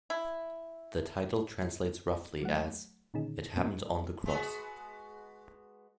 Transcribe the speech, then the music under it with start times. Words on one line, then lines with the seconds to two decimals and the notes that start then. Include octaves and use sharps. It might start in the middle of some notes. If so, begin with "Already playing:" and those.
The title translates roughly as "It Happened on the cross".
0.10 E4
2.41 F#3 A3 F#5
3.14 A#2 D3 D#3 C#4 D#4 G#4
3.55 E2 A#2 E3 A#3 B3 C#4
4.26 G#3 B3 F#4